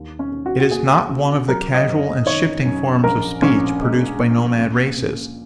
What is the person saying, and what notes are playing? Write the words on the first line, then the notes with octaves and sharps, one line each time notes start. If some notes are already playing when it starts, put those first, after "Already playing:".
It is not one of the casual and shifting forms of speech produced by nomad races.
Already playing: D#2
C#4
D#2
F#4
F#4
A#3 G#4
C#3
F#3 A#4
D#5
F#1
D#3 C#5
F#2
A#1 A#4
A#1 C#4
G#3
A#2
C#2
C#2